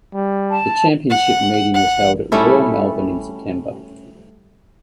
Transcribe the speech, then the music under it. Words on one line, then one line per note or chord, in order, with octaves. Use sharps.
The championship meeting was held at Royal Melbourne in September.
G3
A5
F#5
F#5
G3 A3 C#4 E4